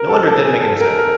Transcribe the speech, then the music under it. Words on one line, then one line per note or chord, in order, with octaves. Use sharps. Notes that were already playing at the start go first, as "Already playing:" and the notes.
No wonder it didn't make any sense."
Already playing: A#4
A4
A4
G#4
A4
A#4
A#4